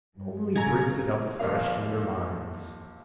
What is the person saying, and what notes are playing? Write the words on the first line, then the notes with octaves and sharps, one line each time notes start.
It only brings it up fresh in their minds.
G2
C#3 A4 A#5 G#6
A#1 D#2 A#3 F5